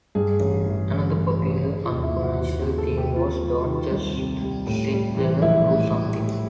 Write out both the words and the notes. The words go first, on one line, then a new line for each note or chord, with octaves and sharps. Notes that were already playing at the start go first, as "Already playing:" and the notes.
Another popular uncommercial theme was Don't Just Sit There-Do Something!
G2 G#4
A1
E3
A1
G2
A1
C#3
F4
D#2
E4
F3
F#4
D#2 F#4
G#4
C#3
A4
D#2
G4
C3 F4
G3
D#3
C2
C3
G3
A2
G3
E3
A#1 E4
A2
G3
A2